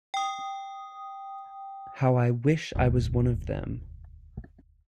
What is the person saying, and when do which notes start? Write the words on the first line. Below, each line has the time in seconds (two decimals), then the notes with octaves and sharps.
How I wish I was one of them!
0.14 G5 D#6
2.75 E1 D2 G#2